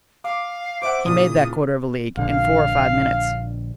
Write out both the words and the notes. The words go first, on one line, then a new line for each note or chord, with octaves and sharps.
He made that quarter of a league in four or five minutes.
F5 D6
C5 E5 F#5 D6
A#2 C#3 E3 D#6
A#1 D3 F5